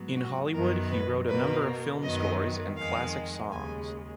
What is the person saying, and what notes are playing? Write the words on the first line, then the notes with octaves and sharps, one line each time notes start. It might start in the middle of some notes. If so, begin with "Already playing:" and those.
In Hollywood he wrote a number of film scores and classic songs.
Already playing: G#2 F#3 B3
F#4
F#2 D#3 F#3 B3 A#4
B4
B2 A#3 B4
F#2 D#3 F#3 B3 D#5
F2 D#3 G#3 F5
D#2 C#3 G#3 G#5